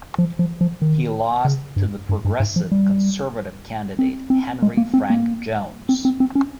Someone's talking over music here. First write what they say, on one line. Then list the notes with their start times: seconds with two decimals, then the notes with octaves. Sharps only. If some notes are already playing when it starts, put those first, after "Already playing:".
He lost to the Progressive Conservative candidate, Henry Frank Jones.
0.18 F3
0.39 F3
0.61 F3
0.82 D#3
1.45 C#3
1.76 G2
2.09 G2
2.25 G2
2.40 G#2
2.56 F3
2.72 G3
3.99 C4
4.30 C4
4.62 G#3
4.77 A#3
4.94 C4
5.10 A#3
5.89 C4
6.05 C4
6.20 C4
6.35 C#4